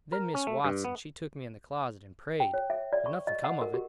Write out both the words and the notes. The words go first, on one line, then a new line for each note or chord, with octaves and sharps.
Then Miss Watson she took me in the closet and prayed, but nothing come of it.
A#4
C#4
A3
G2
B3
G5
C#5
E5
D5
C#6
D#5
F#5
A#4
G4